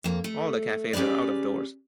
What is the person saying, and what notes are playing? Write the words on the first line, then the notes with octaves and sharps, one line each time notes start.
All the cafes are out of doors.
F2 A#3
A3
C#4 G4 G#4 B4 D5